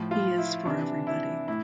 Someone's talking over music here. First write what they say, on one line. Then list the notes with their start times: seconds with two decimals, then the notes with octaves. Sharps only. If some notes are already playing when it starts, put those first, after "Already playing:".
He is for everybody.
Already playing: A2 F3
0.11 F4
0.38 E4
0.65 C3 E3 D4
1.07 E4
1.48 A2 E4